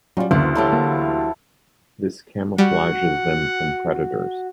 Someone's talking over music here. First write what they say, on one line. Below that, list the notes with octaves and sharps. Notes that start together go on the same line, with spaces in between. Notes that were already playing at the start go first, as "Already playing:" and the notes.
This camouflages them from predators.
F#3 G3 C#4 D#4 F4
D2 C#3 E3 A#3
E3 F#3 E4 G4 A4 F5
A#3
G3 F#4 F#5